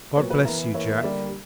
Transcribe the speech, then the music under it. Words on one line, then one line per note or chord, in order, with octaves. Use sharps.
God bless you, Jack.
A#2 F#3 B3 C#5
B4
E3 B3 E4 A#4
E3 A#3 E4 C#5
E5
D3 G3 A#3 D4 D5